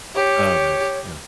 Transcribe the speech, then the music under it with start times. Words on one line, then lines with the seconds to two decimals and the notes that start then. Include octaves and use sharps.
Oh, nice. Yeah.
0.16 G4 C#5